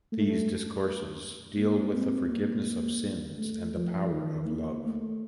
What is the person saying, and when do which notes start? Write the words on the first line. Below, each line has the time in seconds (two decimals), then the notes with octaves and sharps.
These discourses deal with the forgiveness of sins and the power of love.
0.12 A3
1.57 A#3
1.94 C4
2.30 A#3
3.38 A3
3.74 F3
4.11 D#3
4.47 A#3
4.84 A3